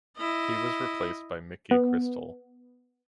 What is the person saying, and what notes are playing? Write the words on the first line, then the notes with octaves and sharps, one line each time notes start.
He was replaced by Micky Crystal.
E4 D#5
B3